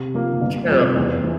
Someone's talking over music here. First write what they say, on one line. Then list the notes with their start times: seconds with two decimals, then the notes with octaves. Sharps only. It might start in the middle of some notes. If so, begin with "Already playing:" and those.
take care of.
Already playing: C3
0.14 F3 A#3
0.41 G1
0.68 F2 C3 G3 C4
0.97 E2
1.24 E3